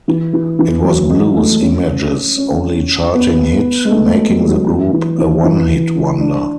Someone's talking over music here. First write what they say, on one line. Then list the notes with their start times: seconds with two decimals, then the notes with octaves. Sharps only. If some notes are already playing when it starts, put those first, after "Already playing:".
It was Blues Image's only charting hit, making the group a one-hit wonder.
0.08 E3
0.33 E3
0.59 E3
0.84 F#3
1.10 G#3
1.36 A3
1.61 C#4
2.38 C#4
3.15 B3
3.85 G#3
3.91 A3
4.29 F#3
4.48 F#3
4.67 E3
4.93 E3
5.18 E3
5.44 E3
6.20 D4